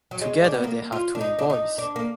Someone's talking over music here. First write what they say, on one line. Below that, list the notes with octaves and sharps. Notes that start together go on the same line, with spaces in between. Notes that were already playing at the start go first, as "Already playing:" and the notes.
Together they have twin boys.
F#3
G#3
D4
B3
A#3
F4
D4
D#4
D4
D#4
D4
A#3